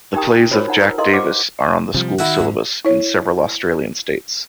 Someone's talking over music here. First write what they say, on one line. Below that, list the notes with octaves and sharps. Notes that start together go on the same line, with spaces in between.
The plays of Jack Davis are on the school syllabus in several Australian states.
D#4 G4 A#4 G5 A#5 D#6
F4 F#4 A#4 C5 C#5
D#4 F#5 A#5
A#4 B4
E4 A4 A#4 D#5 F5 C6
G4 B4 C5 F#5 D6
C3 F3 G3
D#3 E4 F#4
G#2
E4 C#5